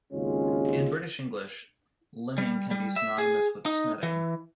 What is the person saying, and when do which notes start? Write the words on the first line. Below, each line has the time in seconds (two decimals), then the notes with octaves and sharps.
In British English, limbing can be synonymous with snedding.
0.13 G#1 D#2 C#3 G#3 C#4 F4
2.38 G3
2.71 G3
2.96 E5
3.18 G#4
3.66 D#4
4.03 E3